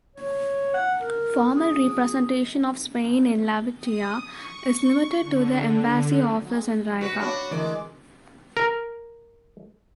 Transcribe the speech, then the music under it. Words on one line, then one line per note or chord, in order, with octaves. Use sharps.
Formal representation of Spain in Latvia is limited to the embassy office in Riga.
C#5
F#5
A#4
G#4
D#6
C#6
D3
F#4 B4
D4 F#4 C#5 B5
D2 E3 G#3 A#4 D5
A#4